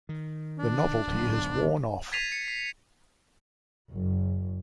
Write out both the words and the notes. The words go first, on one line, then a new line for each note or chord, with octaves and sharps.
The novelty has worn off.
D#3
D4
D1 B1
G#6 A6 B6 C7 D#7 F7
C#7
C7
F#1 F#2